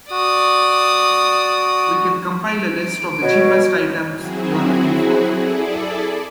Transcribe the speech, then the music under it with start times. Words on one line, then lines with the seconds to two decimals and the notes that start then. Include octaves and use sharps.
We can compile a list of the cheapest items you are looking for.
0.11 F#4 D5 D#6
2.47 D7
3.22 B2 F#4 C#5
4.15 F#3 C4 E4 F#4 G#4
5.32 E4 G#4 A4 D5